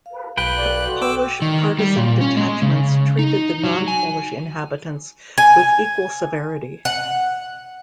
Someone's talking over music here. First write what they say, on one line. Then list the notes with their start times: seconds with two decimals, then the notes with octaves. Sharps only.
The Polish partisan detachments treated the non-Polish inhabitants with equal severity.
0.06 F5
0.37 B1 B4 G5 F#6
0.55 D5
0.86 F#4 A4 C6
1.02 G5 D6 E6
1.42 D#3
1.79 G3
1.97 A#2
2.21 C#4
2.37 G#3
2.62 C#3
3.19 D#4
3.64 F#3
3.88 G#5
5.38 G#5
6.85 F#5